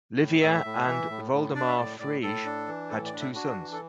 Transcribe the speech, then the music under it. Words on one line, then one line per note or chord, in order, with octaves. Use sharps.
Livia and Woldemar Frege had two sons.
A2
A2 E5
A2
E3
A2
A2
D4 D5
E5
A2 D5
A2 D5
A2 A4
D4
E3
A2 A4
D5
D4
E5
D4 F#4
E3
A4